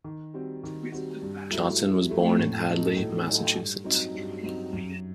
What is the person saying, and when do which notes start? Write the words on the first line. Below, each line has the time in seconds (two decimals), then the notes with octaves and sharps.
Johnson was born in Hadley, Massachusetts.
0.04 D#3
0.34 G3 C4 F#4
0.64 D#3
0.92 G3 C4 F#4
1.22 G2
1.51 F#3 A3 E4
1.81 G2
2.09 F#3 A3 E4
2.39 A2
2.67 F#3 A3 D#4 A4
2.97 A2
3.26 F#3 A3 D#4 A4
3.56 G2
3.84 F#3 C4 D#4
4.15 G2
4.43 F#3 C4 D#4
4.73 F#2